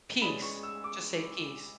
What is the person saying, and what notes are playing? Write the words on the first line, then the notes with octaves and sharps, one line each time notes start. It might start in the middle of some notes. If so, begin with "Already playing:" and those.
Peace, just say, peace.
G#3 C#4 G#4 B4 D5 B5
C#6
E6
D6